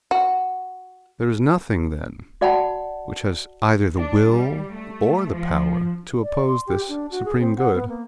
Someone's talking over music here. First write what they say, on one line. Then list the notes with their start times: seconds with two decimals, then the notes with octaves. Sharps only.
'There is nothing, then, which has either the will or the power to oppose this supreme good.'
0.11 F#4
2.41 F#4 D5 F#5 G5 A5 B5
3.98 D4
4.31 G3
4.71 A3
5.33 F3
6.22 D5
6.45 C6
6.67 G4
6.89 D4
7.11 F#4
7.25 G#4
7.40 C4
7.57 F#5
7.74 B3
7.89 A#3